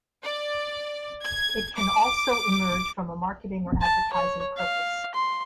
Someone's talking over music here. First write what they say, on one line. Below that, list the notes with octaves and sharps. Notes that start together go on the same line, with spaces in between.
It can also emerge from a marketing or advertising purpose.
D5
G#6
D6
A5
C#5
F5
C6